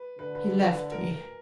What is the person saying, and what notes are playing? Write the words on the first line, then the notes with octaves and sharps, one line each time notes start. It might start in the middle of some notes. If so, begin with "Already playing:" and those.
He left me.
Already playing: B4
D3 B4
B4
B4
A#4
A#4